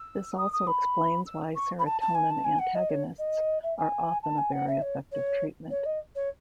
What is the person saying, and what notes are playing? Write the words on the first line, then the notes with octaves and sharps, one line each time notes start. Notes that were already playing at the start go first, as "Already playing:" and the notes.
This also explains why serotonin antagonists are often a very effective treatment.
Already playing: E6
D#6
D#6
B5
E6
C#6
B5
A5
A5
G#5
A5
G#5
F#5
D#5
C#5
D#5
E5
G#5
A5
G#5
F#5
E5
C#5
C#5
C#5
D#5
C#5